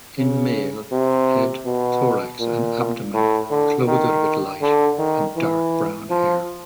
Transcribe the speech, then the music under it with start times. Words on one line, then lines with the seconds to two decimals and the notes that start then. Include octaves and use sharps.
In male, head, thorax and abdomen clothed with light and dark brown hair.
0.18 C#3
0.92 C3
1.66 B2
2.40 A#2
3.14 A2
3.50 D3
3.88 D#3
4.62 D3
4.99 D#3
5.36 E3
6.10 F3